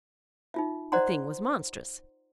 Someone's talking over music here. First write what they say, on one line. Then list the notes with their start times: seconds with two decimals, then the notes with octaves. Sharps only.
The thing was monstrous.
0.54 D#4 F4 E5
0.92 C5 D5 D#5 F#5 A#5 C6